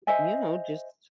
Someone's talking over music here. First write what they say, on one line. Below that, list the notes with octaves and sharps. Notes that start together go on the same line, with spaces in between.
you know, just
C5 D#5 E5 G#5